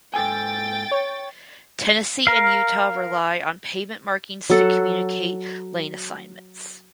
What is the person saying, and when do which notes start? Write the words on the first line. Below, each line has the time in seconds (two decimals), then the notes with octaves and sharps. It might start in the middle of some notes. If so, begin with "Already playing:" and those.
Tennessee and Utah rely on pavement markings to communicate lane assignments.
0.14 G#2 A4 G5 G#5 A6
0.91 C#5
2.27 A#4 F5
4.50 F#3 A4 F#5